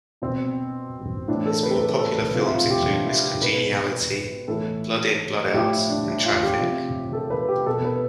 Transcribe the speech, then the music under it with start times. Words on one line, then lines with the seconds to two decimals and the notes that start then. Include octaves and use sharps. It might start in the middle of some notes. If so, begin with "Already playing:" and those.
His more popular films include "Miss Congeniality", "Blood In Blood Out" and "Traffic".
0.22 B2 C4
1.28 A2 E3 D4
1.46 A4
1.63 B4
1.81 A4
1.99 A4
2.18 B4
2.34 C3 F3
2.42 E4
2.53 F4
2.70 G4
2.88 D4
3.05 E4
3.23 G4
3.42 B2 B4
4.48 A2 E3 A4
5.54 A2 F3 G4
5.71 E4
5.89 D4
6.06 E4
6.25 F4
6.43 G4
6.61 C3 F3
7.13 A4
7.30 B4
7.48 G4
7.66 B2 A4
7.85 B4